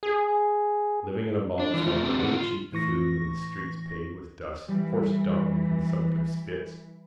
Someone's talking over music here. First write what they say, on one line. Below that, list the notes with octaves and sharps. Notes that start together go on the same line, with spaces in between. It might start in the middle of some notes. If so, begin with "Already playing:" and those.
Living in a bogswamp, eating cheap food and the streets paved with dust, horsedung and consumptives' spits.
G#4
D4
E3 D4 F4
A3 F4
C4 D4 G4 A4 B4
D#3 C4 F#4 G#4 F#5
F4
A2 E3 C#6 A#6
E3 G3